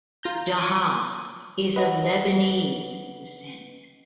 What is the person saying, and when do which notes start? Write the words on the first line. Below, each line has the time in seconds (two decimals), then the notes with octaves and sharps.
Jaha is of Lebanese descent.
0.23 F4 A#5 G6
0.58 C#6 D6 G#6 D7 D#7
1.76 B4 D#5 F#5